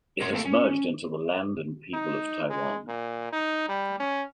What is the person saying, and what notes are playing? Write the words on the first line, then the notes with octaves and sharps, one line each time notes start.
It has merged into the land and people of Taiwan.
F#4 A#4 C#5 F#5 C6
A3 A#3 C4 E4 A4 A#4
C#4
D#4
G#3
A#2
D#4
G3
C#4